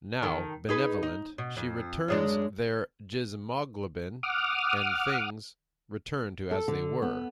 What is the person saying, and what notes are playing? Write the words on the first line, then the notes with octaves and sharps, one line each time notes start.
Now benevolent, she returns their Jizmoglobin, and things return to as they were.
D#3 A4
D#4 G#4 B4
D#4
B2
F2
F#2 G#3 D4
F#5 D6 D#6 F6
A4
D3
B3